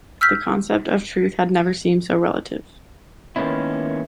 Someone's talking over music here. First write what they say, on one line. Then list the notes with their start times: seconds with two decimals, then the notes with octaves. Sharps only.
The concept of truth had never seemed so relative.
0.21 E6 F6 G6 B6
3.36 D#3 G#3 A#3 B3 C#4 E4